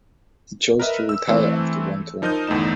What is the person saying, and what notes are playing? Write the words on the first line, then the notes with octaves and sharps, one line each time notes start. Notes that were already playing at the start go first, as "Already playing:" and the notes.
He chose to retire after one term.
A#4 B4 D#5 E5
E6
E3 A3 C4
F3 D#4 A#4 D#5 D#6 G6
G1 E2 A3 D#4 E7